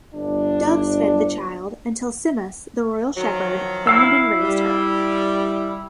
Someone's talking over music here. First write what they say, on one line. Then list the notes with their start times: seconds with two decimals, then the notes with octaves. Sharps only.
Doves fed the child until Simmas, the royal shepherd, found and raised her.
0.14 G1 D4
3.17 D#3 F3 F#3
3.87 E4 F5 E6
4.40 G3